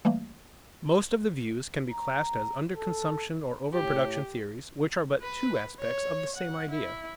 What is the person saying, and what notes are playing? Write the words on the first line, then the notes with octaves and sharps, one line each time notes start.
Most of the views can be classed as under-consumption or over-production theories, which are but two aspects of the same idea.
E3 G3 A3 A#3
A#5
A4
A2 G4
B4
C#5
F#5
E4